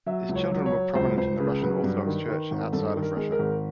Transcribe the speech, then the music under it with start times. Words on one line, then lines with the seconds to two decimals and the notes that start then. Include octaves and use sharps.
His children were prominent in the Russian Orthodox Church Outside of Russia.
0.06 F#3 E5
0.29 C#2
0.36 C#5
0.51 F#3
0.66 C#5
0.73 F#3
0.95 C#2 C5
1.17 C#2 C5
1.40 C#3 B4
1.62 F#3 B4
1.84 G2
2.06 D#3
2.29 D#3
2.51 G#1
2.73 G2 A4
2.96 D#3
3.02 A#4
3.17 G#3
3.32 A#4
3.39 G#1